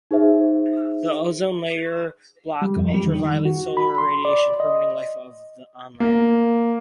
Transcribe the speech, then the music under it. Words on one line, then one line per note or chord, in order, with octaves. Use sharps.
The ozone layer blocks ultraviolet solar radiation, permitting life on land.
D#4 G#4 C5 E5
G3
F2
G3
D#3
F#4
B5
C6
D5
D#5
A#3